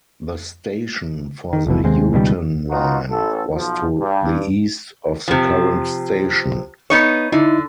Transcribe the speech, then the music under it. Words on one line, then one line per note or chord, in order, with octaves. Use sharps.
The station for the Hooton line was to the east of the current station.
D#3
F1 C2 B2 E3
D#2 C3 G#3 C4
C#2 B2 D#3 G3
B2 D#4 F4 F#4
A1 A4
B1 F3
G2
C3 F3
B3 D#4 C#5
D3 D#4 E4